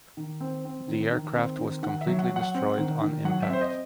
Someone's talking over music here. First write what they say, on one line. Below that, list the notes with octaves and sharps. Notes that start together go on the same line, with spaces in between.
The aircraft was completely destroyed on impact.
D#3
C4
C4
D#3
D#3
C4
D#3
D#3 F#5
E5
F#3
F#5
F#3
F#5
C4
D#3
D#3
F#3 F#5
E5
C4 C5
D#5